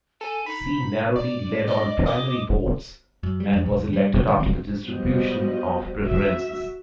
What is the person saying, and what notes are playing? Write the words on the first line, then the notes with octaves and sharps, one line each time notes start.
She narrowly led on primary votes and was elected after the distribution of preferences.
A4 G#5
D#4 B5
D5
D5 D#5
D#5 D6
F#2
G3
F2
B1
D#2
G3
C#3
D#3
C4
F3 G3 B3 F#4 G4 D#5
F#4 E5